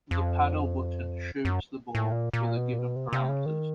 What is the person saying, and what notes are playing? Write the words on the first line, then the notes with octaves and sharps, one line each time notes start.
The paddle button shoots the ball with the given parameters.
F2
F#2
A2
A#2
A#2
B2
A#2
B2
C3
C3
C#3
D#3